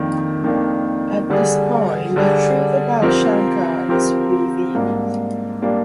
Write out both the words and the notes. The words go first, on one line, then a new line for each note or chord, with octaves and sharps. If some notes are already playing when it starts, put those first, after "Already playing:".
At this point the truth about Shankar is revealed.
Already playing: F2 D#3 A#3 D4
F2 D#3 A#3 D4
D3 G3 D4 G#4
D3 G3 D4 G#4
F3 C4 G4 A#4
F3 C4 G4 A#4
G#2 G3 A#3 D4
G3 A#3 D4